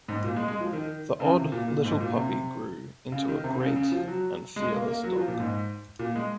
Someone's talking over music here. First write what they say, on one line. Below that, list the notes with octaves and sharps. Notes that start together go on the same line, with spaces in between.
The odd little puppy grew into a great and fearless dog.
G#2
A#2
G#3
G#3
F3
D#3
C#3
C3
A#2
A#2
G#2
A#2
C3
C#3
D#3
C3
C#3
C#3
F3
F#3
G#3
A#3
A#3
F#3
F3
A#2
G#2
A#2
G#3